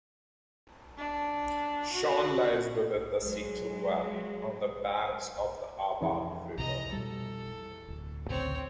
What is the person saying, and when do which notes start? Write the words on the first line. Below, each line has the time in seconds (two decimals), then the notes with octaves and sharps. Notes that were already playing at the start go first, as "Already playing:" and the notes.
Seon lies within the Seetal valley, on the banks of the Aabach river.
0.98 D4
1.93 F#4
3.20 F#3 G#3
6.01 F1 E3 G#4
6.58 C2 C3 D#5 A#5
6.92 B2 G3 A4
7.88 D1
8.29 A1 D2 C#3 C4 C#5